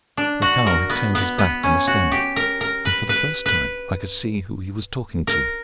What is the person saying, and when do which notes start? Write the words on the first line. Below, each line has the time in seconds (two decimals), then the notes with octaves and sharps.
Rakhal had turned his back on the scanner and for the first time I could see who he was talking to.
0.17 D4
0.42 F#4
0.66 A#4
0.90 B3
1.15 B3
1.39 B3
1.63 C#4
1.87 F#4
2.12 G4
2.36 A#4
2.61 A#4
2.85 B4
3.09 B4
3.46 B4
5.27 A#4